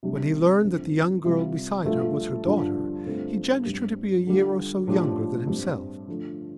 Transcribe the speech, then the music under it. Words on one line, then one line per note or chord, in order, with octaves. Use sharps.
When he learned that the young girl beside her was her daughter he judged her to be a year or so younger than himself.
C3 G3 D4 G4
G2 D3 F3 C4
C3 G3 F4
G2 F3 A3 F4
G2 D3 F3 D4 F4
G2 D3 A3 C4 F4
G2 G3 C4 G4
D3 G3 F4
A2 F3 D4 G4
G2 G3 C4
D3 F3 A3 D4